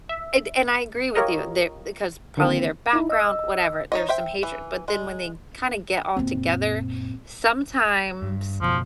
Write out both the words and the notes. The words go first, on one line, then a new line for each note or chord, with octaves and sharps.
and and I agree with you, they're 'cause probably their background, whatever, there's some hatred, but then when they kinda get all together, sometimes
E5
F4 G4 A#4 C#5 D#5
D3 D#3 A#3 C4
D#4 E4
D#5 E6
D#4 C#5 D#5
C5 E5 G5
E3
G#3
F#2 A#2 C4
G2
F#1 B2 F3